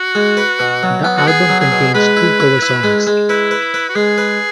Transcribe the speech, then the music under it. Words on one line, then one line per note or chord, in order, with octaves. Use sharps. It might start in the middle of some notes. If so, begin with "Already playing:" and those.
The album contains two cover songs.
Already playing: F#4
G#3
B4
B2
F#3
B3
F#4
B3 G#4
F#3
G#4
B2
G#3 B4
E4
E4
E4
G#3
G#3
E4 B4
B4
B4
F#4
G#3 G#4
B4